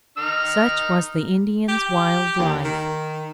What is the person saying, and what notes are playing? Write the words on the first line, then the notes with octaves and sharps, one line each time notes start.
Such was the Indians' wild life!
D#4 F6
G4
D#2
D#3